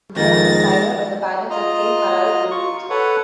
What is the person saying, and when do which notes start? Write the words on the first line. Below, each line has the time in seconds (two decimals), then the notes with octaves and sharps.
Gorm and Thyra were the parents of King Harald Bluetooth.
0.17 F2 D#3 G#3 A6 A#6
1.50 F4 D#5 A#5
2.51 F4 C#6
2.90 A4 B4 C#5 F#5